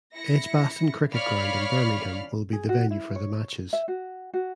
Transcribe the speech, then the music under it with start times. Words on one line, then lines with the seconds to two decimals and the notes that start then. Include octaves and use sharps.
Edgbaston Cricket Ground in Birmingham will be the venue for the matches.
0.14 E4 A#6 C#7
1.12 C#5 D5 F5 B5 F6
2.53 G#4
2.69 F#4
2.91 E4
3.16 C#5
3.73 E5
3.88 F#4
4.34 F#4